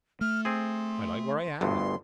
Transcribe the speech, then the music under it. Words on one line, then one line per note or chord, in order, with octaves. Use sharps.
I like where I am.
A3 F6
C4 G#4 C6
G1 D2 G2 C6